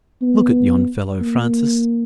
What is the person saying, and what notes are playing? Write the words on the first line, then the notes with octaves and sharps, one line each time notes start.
Look at yon fellow, Francis!
B3
A#3